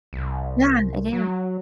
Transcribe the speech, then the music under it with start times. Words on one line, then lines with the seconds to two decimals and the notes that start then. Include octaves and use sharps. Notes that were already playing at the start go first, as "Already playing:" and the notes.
Yeah, it is.
0.13 C2
1.13 F#3